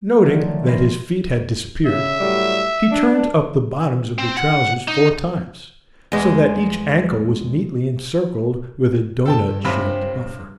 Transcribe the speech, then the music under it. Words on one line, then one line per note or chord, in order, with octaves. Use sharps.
Noting that his feet had disappeared, he turned up the bottoms of the trousers four times, so that each ankle was neatly encircled with a doughnut-shaped buffer.
D3 D#3 F3 F#3 A3 C4
C#3 F3 B5 C6 A#6
C#3 E5
A2 F#3 G3
D4
C4
F#5
D#4
E2 G#3
G2 A4 G5 A5
C#2 C3 C4 B5